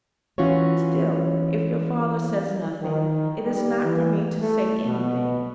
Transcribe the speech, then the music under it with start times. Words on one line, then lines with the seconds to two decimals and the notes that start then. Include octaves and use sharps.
Still, if your father says nothing, it is not for me to say anything.'
0.38 E3 C#4 F4 F#4 C#5
2.81 D#3
3.42 G3
3.84 E3
4.40 A3
4.86 B2